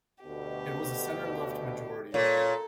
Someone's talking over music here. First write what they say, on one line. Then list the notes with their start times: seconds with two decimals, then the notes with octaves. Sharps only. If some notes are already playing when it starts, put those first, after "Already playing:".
It was a Center-left majority government.
0.24 D2 B2 G4
2.14 A#2 A4 C#5